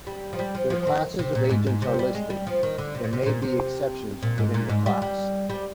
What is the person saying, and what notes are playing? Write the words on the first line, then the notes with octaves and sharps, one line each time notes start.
Where classes of agents are listed, there may be exceptions within the class.
G3
F3
G3
F3
F3
D#3
C3
A#2
G#2
G#2
C3
G3
G#3
G3
F3
D#3
D3
C3
A#2
C3
A#2
C3
A#2
G#2
A#2
G#2
G3
G3
G3